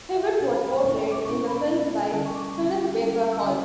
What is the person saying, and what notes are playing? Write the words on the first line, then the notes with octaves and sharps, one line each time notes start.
Hewitt was portrayed in the film by Philip Baker Hall.
E5
F#5
B2 A3 C#4 E4 G5
B5
B5
B2 A3 C#4 E4 C#6
D6
B2 A3 C#4 E4 C#6
B5
B2 A3 C#4 E4
D3 G3 C#4 E4 A5
C#6
D6
C#6
D3 G3 C#4 E4
D3 G3 C#4 E4
E6
D3 G3 C#4 E4 D6